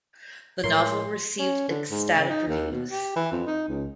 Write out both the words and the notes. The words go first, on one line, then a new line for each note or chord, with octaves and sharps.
The novel received ecstatic reviews.
A2 F3 G#3 E4 A#4 C#5 C6
C#4
D3
G#2
C#3
D#4
D#2
B2
G4
E3
F2
D#4
C#2